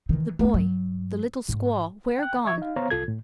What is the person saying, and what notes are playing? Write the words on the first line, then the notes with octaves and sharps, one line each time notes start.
"The boy, the little squaw,--where gone?"
D#3 E3
A3 D4
G2 F#3
G#2
G5 F#6
E5 C#6 G#6
D#4 F5
B3 C5 C#5 F5 A#5
C2 F4 A4 G#6
A2